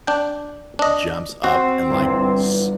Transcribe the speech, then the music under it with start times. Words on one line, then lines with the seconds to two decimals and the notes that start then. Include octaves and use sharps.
jumps up and, like, s
0.07 D4 G5
0.79 D4 D#5
1.44 C4 F#4
1.90 G1 E2